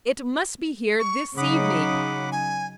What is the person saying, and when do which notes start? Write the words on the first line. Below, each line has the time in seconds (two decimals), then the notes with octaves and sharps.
It must be here this evening!
0.99 C#6
1.37 C#3 F#3 D#4 F#5 B5 D6 D#6
2.32 G#5